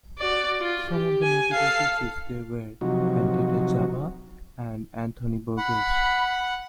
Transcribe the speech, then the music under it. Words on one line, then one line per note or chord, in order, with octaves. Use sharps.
Some of the notable teachers there were Pendeta Za'Ba and Anthony Burgess.
F#4 D5
F4
G4
G#5
A4 F5
C3 F3 F#3 D#4 F#4
F#5 B5